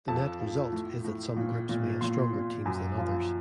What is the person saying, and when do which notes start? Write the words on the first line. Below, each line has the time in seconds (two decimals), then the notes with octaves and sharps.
The net result is that some groups may have stronger teams than others.
0.08 F2 A5
0.40 F3
0.72 A2
1.04 A2
1.37 A#2
1.69 A#2
2.01 A#2 C6
2.33 A#2
2.65 F#2
2.98 F3